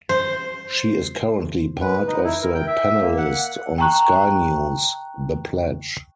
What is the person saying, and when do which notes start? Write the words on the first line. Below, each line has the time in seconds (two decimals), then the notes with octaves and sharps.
She is currently part of the panellist on Sky News "The Pledge".
0.09 C5
1.81 B4
2.07 D#4
2.24 E4
2.42 A#4
2.54 G5
2.67 E5
3.00 A#3
3.18 F#5
3.78 G5 A5 A#5 C#6 F#6